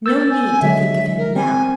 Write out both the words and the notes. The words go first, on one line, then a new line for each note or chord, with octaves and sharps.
No need to think of him now.
A#4 E6 G6 A6
G#5
D3 F#3 G#3 E5
A#4
C4 G#5